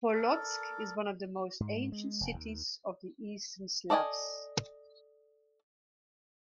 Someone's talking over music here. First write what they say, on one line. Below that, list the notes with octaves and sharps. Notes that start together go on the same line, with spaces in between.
Polotsk is one of the most ancient cities of the Eastern Slavs.
A4 A#4 D5
G#2
G#3
F1
D#2
A4 D5 D#5 G5 G#5